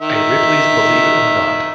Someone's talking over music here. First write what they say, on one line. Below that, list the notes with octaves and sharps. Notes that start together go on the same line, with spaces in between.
A Ripley's Believe It or Not!
D#3 E5